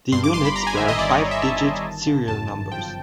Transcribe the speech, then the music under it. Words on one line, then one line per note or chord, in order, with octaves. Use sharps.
The units bear five-digit serial numbers.
G2 C6
D6
G1 C6
B5
G1 A#5
G#5
D#3 E5
D#5
G1 D5
C#5
G1 D5
E5
G1 A5
D#3
G1
C#3
F#2 A5
G1
F3 G5